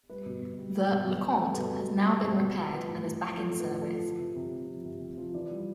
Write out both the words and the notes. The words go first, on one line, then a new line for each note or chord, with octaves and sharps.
The "LeConte" has now been repaired and is back in service.
G3 B4
B2
B2
G3
G3
B2
B2
G3
G3 A4
B4
B2
A4
B2
G3
G3
B2
B2
G3
F3 B4
A2
A2
F3
F3 A4
A2
B4
A2 B4
F3 A4
F3
C3
C3
F3
F3
C3
C3
F3
E3 D5
G3